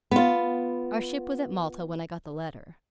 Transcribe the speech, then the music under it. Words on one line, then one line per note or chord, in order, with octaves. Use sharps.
Our ship was at Malta when I got the letter.
B3 F4